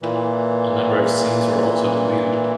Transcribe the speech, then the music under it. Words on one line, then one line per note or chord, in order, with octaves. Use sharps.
A number of scenes were also deleted.
A#2 E3